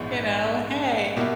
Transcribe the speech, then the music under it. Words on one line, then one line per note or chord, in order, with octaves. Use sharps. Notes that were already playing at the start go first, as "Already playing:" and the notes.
you know hey,
Already playing: A#1 G#2 E3 G#3 B3
B2 A#3 E4 G4